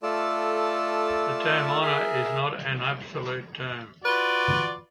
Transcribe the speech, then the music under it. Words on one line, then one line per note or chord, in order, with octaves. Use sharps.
The term honor is not an absolute term.
A3 F4 A4 D5 A5
G#4 A#4 E5
F4 F#4 B4 D5